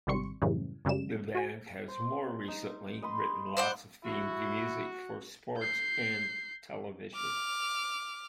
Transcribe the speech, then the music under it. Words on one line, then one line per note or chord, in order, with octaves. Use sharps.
The band has more recently written lots of themed music for sports and television.
G#1 C3 G3 C6 C#6 C#7
F#2 A2 C#3 E3 G3
F#2 C#3 G3 G#3 E7
F#4 G#5
C5
D#4
D#5 B5 C6
C5 D5 F#5
E4 F#4
G6 C7
D6 F6